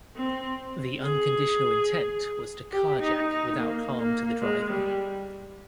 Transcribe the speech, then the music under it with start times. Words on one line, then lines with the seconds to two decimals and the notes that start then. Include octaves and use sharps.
The unconditional intent was to carjack without harm to the driver.
0.16 C4
1.02 G#4
2.72 G4
3.00 D#4
3.28 D#4
3.57 A#3
3.99 A#3
4.42 G#3
4.70 G3